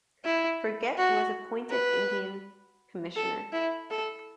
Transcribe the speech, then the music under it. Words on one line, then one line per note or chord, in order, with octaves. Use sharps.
Forget was appointed Indian commissioner.
E4
F#4
B4
A4
E4
A4